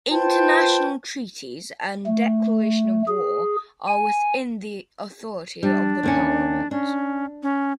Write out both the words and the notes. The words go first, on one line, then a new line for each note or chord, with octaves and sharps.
International treaties and declaration of war are within the authority of the parliament.
F4 B4 C5 G5 A5
A3
G#4
G#5
G3 D4
D#2 A#3 C#4
C#4 D4
C#4